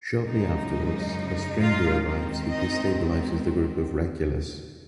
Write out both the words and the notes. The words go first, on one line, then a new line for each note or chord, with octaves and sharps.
Shortly afterwards, a stranger arrives who destabilizes the group of regulars.
F#2 C#3 G#3 D#4
F4 F5
D#3 G#3 C4 D#4
D#4 D#5